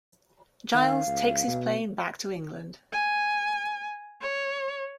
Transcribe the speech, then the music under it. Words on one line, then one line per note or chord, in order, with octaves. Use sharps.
Giles takes his plane back to England.
D#3 F5
C#2
B2
G#5
C#5